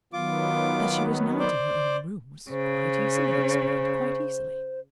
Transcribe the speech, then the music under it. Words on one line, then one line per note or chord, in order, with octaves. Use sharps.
That she was not in her own room was quite easily explained--quite easily.
D#3 F#3 B3 F4 D6
C5 D5
C#3 C5